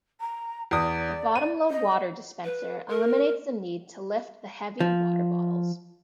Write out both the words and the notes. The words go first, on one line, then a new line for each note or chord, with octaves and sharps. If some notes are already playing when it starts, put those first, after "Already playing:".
The bottom-load water dispenser eliminates the need to lift the heavy water bottles.
A#5
E2 D5 D#6
D#7
D#5
B4
A#4
F3